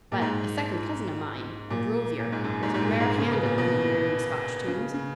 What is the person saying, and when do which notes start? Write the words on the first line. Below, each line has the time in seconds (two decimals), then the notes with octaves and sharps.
But a second cousin o' mine, a drovier, was a rare hand at remembering the Scotch tunes.
0.12 A#2
0.22 G#2
1.70 A#2
2.19 A#2
2.32 G#2
2.44 F#2
2.63 G#2
2.74 G#2
2.81 A#2
3.00 G#2
3.19 C#3
3.32 B2
3.45 A#2
3.58 B2
4.68 C#3
4.94 C#3